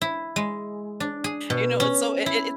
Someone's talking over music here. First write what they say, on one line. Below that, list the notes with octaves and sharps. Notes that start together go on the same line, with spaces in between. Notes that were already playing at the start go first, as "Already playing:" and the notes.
You know, it's so it it
E4
G#3
D4
G#4
B2
C#4
E4